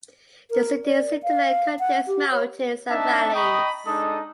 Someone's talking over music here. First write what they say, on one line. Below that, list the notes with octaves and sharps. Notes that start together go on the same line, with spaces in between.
The city's hinterland contains mountains and valleys.
A#4
D5
F5
F#5
G4
C#5
C4 D4 D#4 E5 A5
D#5 G5 A#5 B5 C#6 D#6
G#3 D4 D#4 A4 D#6